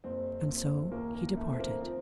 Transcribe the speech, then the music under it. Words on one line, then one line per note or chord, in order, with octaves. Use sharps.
And so he departed.
F#1 C4
F#1 C4
D#2 A#3
A#3
D#2 A3
C4
A#3
F3 C4